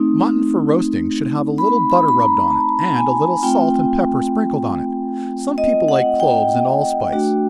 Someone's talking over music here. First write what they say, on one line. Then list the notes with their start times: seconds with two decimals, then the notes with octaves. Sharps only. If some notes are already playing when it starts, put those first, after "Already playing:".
Mutton for roasting, should have a little butter rubbed on it, and a little salt and pepper sprinkled on it--some people like cloves and allspice.
Already playing: A3 C4 D#4
1.58 B5
1.90 B5
2.08 B5
2.20 A#5
2.50 A5
2.96 G#5
3.42 A3 C4 F4 G5
5.58 D#5
5.88 F#5
6.20 G5
7.12 A3 D4 F#4